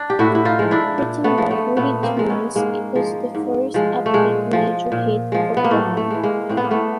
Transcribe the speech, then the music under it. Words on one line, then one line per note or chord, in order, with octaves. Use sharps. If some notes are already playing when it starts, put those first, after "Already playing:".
Written by Rudy Toombs, it was the first upbeat major hit for Brown.
Already playing: D4
G4
A2 E4 F#4
E4
D#4 F4
F3 G#3
D4 E4
A#2
A3 B3
F3 G#3
A3 B3
A#2 A3 B3
A#3 C4
F3 G#3
B3 C#4
G#2 G#3 A#3
F3 G#3
G#2
F3 G#3
A3
A#2 G#3
F3 G#3
A#2
F3 G#3
B3
A#3
A2 A3
A3
E3 G#3
G#3 A#3
A2 C4
B3
A#3
A3 B3